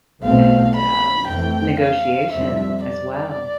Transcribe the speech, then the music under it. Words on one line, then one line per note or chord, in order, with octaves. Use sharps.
and, um, negotiation as well.
B1 B2 A3 C4 F5
B5
F2 E3 A3 C4 G5
F5
F2 C3 G3 C4 E5
D5